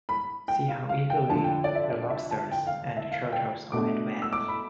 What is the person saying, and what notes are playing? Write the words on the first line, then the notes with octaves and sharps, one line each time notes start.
See how eagerly the lobsters and the turtles all advance!
B5
G5
F5
F5
G5
F2 D3 F3 A5
G5
D5
E5
D5
E5
A5
G5
F5
E5
F5
G5
B2 A3 D4 D6
E6
D6
B5